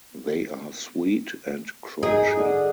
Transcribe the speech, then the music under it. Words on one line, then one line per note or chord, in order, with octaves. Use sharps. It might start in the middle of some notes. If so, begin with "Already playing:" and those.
They are sweet and crunchy.
D#4 G#4
D3